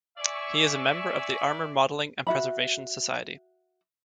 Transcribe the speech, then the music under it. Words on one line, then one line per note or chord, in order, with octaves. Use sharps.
He is a member of the Armor Modeling and Preservation Society.
D5 E5 G#5 C#6 E6
F#4 E5 B5